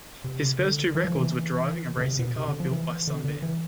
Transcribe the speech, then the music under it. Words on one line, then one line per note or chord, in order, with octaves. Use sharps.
His first two records were driving a racing car built by Sunbeam.
C3
D3
E3
F3
E3
D3
C3
B2
C3
D3
F3
E3
D3
D3
E3